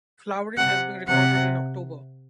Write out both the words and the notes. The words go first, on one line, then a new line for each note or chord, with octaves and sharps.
Flowering has been recorded in October.
C3 F#5
C3 F#5